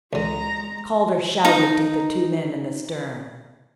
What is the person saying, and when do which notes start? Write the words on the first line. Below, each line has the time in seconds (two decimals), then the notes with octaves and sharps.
Calder shouted to the two men in the stern.
0.13 C#2 D3 G#3 A#5
1.45 D#4 A#5